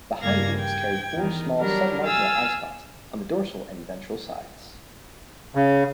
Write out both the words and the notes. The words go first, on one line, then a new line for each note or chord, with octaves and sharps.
The hindwings carry four small submarginal eyespots on the dorsal and ventral sides.
G2 C#3 A#3 F5 G#6 A#6
G5 G#6
E2 D#3
F#3 G3 D4 A#4
F5 G#5 E6 A6
C#3